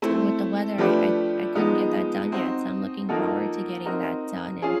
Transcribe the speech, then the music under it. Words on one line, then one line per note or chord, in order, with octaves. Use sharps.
with the weather, I I I couldn't get that done yet. So I'm looking forward to getting that done and,
A3 C4 E4
F3 A3 D4 G4 B4
F3 G#3 B3 D#4
C4 D#4 F#4
F3 A#3 D#4 F#4 A4
C4 D#4 F#4 A#4
C#4 F4 G#4